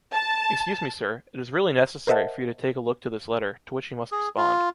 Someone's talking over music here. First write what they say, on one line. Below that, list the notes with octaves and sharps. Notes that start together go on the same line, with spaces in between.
Excuse me Sir, it is really necessary for you to take a look to this letter, to which you must respond.
A5
A#4 C5 D#5 E5 F#5 A5
G#4
F4